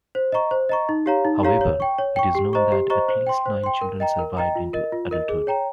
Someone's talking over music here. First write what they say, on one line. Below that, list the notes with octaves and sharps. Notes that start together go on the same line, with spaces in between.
However, it is known that at least nine children survived into adulthood.
C5
D#5 A#5 C#6
C5
D#5 A#5 C#6
D#4
G4 C#5 F5 A#5
D#4
G4 C#5 F5 A#5
C#5
G5 C#6
C#5
G5 C#6
G4
C5 D#5 A#5 C#6
G4
C5 D#5 A#5 C#6
C5
G5 C6
C5
G5 C6
A#4
D#5 G5 A#5
A#4
D#5 G5 A#5
F4
A#4 D#5
F4
A#4 D#5
G#4
C#5 G5 A#5